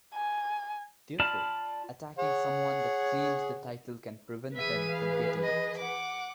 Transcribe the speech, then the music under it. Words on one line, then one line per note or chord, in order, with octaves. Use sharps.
Therefore, attacking someone that claims the title can prevent them from getting it.
G#5
F4 D5 A5 B5 F6
G#4 C#5 F#5
E3 G#4 B4 E5 D#7
F5
D#5
F#5 D6